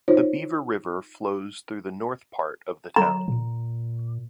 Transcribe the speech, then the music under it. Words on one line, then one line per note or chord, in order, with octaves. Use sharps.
The Beaver River flows through the north part of the town.
D#4 F4 C5 C#5
F#3 A#5
A#2